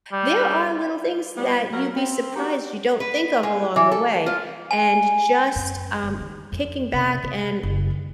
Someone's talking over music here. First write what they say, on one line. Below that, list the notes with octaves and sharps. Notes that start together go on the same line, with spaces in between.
There are little things that you'd be surprised you don't think of along the way, and just, um, kicking back and
G3
G3 B3
F#3 A#4
C4
D#4 F#4 G4
B4
G#3
E3
A4
F4
G#5
F#2
G1
D#3
F2
C3
C3
F#1
D#3